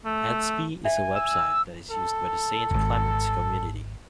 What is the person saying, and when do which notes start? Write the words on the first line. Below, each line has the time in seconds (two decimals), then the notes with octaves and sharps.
Edsby is a website that is used by the Saint Clement's community.
0.05 A3
0.85 E5 G#5
1.15 E6
1.91 A4
2.71 D1 G#1